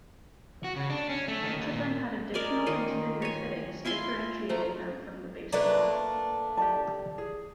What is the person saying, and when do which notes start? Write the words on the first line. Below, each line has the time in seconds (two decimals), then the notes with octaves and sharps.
Each of them had additional interior fittings, differentiating them from the base model.
0.64 F#4
0.76 C#3
0.90 D4
1.09 C#4
1.28 A3
1.43 D#3
1.59 D#2
1.74 A#2
2.34 A#4 D5 D#5 G#5
2.66 D#3 F4 D#5
3.22 C#5 G#5
3.85 E4 F4 G#5 C6
4.49 F3 A3 F4 A#5
5.52 A3 A#3 D4 B4 D5 A#5
6.57 G4 D5 A5
7.18 G#4